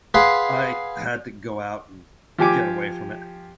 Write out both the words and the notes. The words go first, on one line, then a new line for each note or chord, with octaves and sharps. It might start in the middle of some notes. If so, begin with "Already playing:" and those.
I had to go out and get away from it.
G#4 B4 F5 F#5 C6
F3 G4 G#5 D6